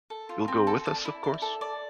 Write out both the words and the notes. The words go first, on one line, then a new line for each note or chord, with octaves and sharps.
You'll go with us, of course?
A4
F4
C4
A4
D5
E4
D5
A4
D5